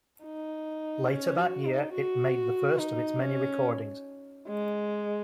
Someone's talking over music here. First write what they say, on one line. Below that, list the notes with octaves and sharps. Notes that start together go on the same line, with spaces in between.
Later that year it made the first of its many recordings.
D#4
C#4
F#4
D#4
F#4
D#4
C#4
G#3